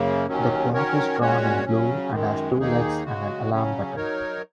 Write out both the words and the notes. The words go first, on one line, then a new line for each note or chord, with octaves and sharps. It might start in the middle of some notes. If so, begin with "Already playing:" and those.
The clock is drawn in blue and has two legs and an alarm button.
Already playing: F#2 C#3 A#3
D#2 D#3 F#3 C#4
D#3 F#3 C#4 A#4 C#5
A#2 G#3 C#4 F#4 C#5
C#3 F#3 C#4
F#2 D#3 G#3
D#2 D#3 A#3 D#4 G#4
C#3 G#3 F#4
C#3 F#3 C#4
F#3 D#4 A#4 C#5